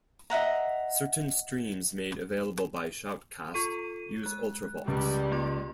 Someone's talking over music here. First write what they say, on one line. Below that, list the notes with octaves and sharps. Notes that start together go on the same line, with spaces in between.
Certain streams made available by Shoutcast use Ultravox.
D#5 E5 F#5 A#5
F4 A4 C#6 D#7
G#3 F#6
C#2 G3
A#3 F4 C6